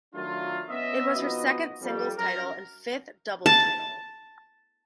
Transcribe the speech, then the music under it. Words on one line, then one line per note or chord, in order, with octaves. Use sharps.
It was her second singles title and fifth doubles title.
D#3 F#3 A3 D4 E4 F4
B3 C#4 D#5 E5
F3 B3 D#4 F#4 D#5
F2 G3
F#2 A#4
A5